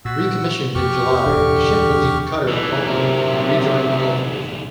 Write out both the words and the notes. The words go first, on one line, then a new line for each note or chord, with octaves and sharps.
Recommissioned in July, the ship relieved cutter at Mobile and rejoined the Gulf Division.
A#2 F#4 E6
F2 G4 C#6 F6
E1 D2 A2 D3
B1 D3 E3
C3 F#3 A#4 E5